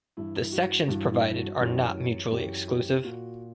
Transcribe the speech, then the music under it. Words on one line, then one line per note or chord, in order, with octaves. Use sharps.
The sections provided are not mutually exclusive.
G2 E3 E4
F#4
G2 E3 F#4
E4
F#4
F#2 E3 G4
F#2 G4
E3
G4
A#2 F#4